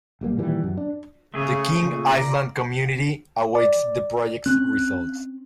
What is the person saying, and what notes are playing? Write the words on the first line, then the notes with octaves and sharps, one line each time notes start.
The King Island Community awaits the project's results.
B1 G3 A#3
A#2 D#3 E3 G3
F#2
D4
C#3 A3 G#4 C#5
A#2 C#3
D5 A#5
D5
C4 C#4 F#6